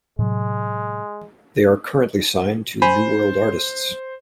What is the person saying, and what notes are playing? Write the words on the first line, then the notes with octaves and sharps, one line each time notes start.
They are currently signed to New World Artists.
A2 C3 F#3 G#3
C5 G#5 B5